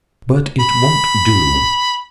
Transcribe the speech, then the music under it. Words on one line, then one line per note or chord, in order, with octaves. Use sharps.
'But it won't do.
B5